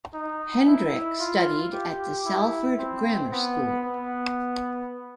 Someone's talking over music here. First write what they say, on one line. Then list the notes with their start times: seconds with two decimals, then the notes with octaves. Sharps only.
Hendrick studied at the Salford Grammar School.
0.14 D#4
0.67 E4
1.20 F4
1.73 G4
2.26 E4
2.79 C4
3.32 B3
3.85 B3